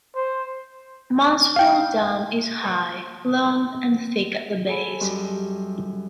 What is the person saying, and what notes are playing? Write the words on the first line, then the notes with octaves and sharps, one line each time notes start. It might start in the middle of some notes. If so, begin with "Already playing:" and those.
Mansfield Dam is high, long, and thick at the base.
C5
F5 G5
G#4 A4 G#5 B5
F#2 F#3 G3 G4 D#5 C6